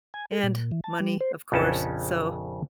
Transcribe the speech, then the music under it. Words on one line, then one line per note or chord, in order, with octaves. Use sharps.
and money, of course, so.
G#5
A4
A#2
E3
A5
G3
C5
A#1 F2 C#3 C#4 A5